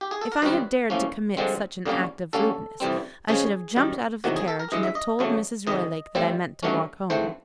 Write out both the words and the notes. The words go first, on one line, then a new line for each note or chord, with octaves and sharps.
If I had dared to commit such an act of rudeness, I should have jumped out of the carriage, and have told Mrs. Roylake that I meant to walk home.
G4
G#4
A4
A#4
F#2 D#3 G3 C4 B4
A2 F3 A#3 C#4
G2 D3 F3 G#3 C4
F2 D3 G3 A#3 C#4
D3 G3 A#3 C#4 A4
F2 C3 E3 G3 C4
C#3 F3 G#3 C#4 G#4
F#2 D#3 G3
E2 C3 D#3 F#3 F#4
G#4
A4
A#4
G2 E3 G#3 D#5
E5
D#5
F2 C#3 F#3 A3
F2 C3 D#3 G#3 D#5
A2 E3 G3 C4
G2 D#3 F#3 A3 C#4
G#2 E3 A3 C4 C5